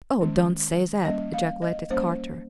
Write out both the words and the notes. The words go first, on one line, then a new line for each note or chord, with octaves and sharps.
"Oh, don't say that!" ejaculated Carter.
D#3 G#3 C#4
G3 A#3 C#4 D#5
F5
D#5
G3 A#3 C#4 C5